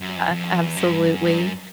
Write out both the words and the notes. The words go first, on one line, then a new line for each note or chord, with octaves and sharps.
Yeah, absolutely.
F#2
F2
F2
E2
F#2
G2
F#2
G2
F#2